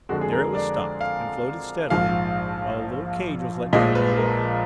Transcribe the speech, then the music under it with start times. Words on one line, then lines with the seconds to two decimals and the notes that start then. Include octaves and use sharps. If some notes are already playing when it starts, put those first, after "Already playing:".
There it was stopped, and floated steadily, while a little cage was let down on a wire.
0.09 F2 D3 G#3 F#4
0.21 G#4
0.32 A#4
0.55 D5
1.01 F5
1.90 A#1 G#2 F3 F5
3.73 A#1 A#2 F3 G#3 D#5
3.95 B4
4.18 A#4